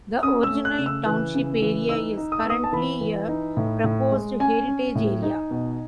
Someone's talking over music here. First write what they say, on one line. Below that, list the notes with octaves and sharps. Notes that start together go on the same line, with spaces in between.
The original township area is currently a proposed heritage area.
C#4 D#6
E6
A3
F#6
C#3
E6
E3 F#6
C#3
E3
D#4 E6
D#4
D#6
E6
B3 D#6
A5
E3 B5
E3
D#4
A2
A2
G#3
C#4 G#5
C#4
A2
D#4
B2